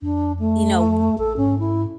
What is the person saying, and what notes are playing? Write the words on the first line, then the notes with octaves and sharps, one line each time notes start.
You know, w
F2 D4
A3
A1 A4
G#2 C#4
E4